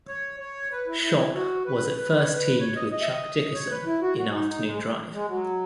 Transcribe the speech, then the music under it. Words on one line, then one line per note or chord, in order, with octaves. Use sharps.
Schopp was at first teamed with Chuck Dickerson in afternoon drive.
C#5
C#5
B4
E4
E4
F#4
B4
B4
C#5
B4
C#5
D#5
D#5
E5
D#5
C#5
B4
E4
F#4
F#4
D#4
D#4
G#3
G#3
F#3